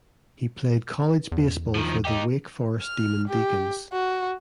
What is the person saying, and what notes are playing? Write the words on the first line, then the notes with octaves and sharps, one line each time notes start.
He played college baseball for the Wake Forest Demon Deacons.
E2
D#3 F3
D#4 G4
F6
G4
F#4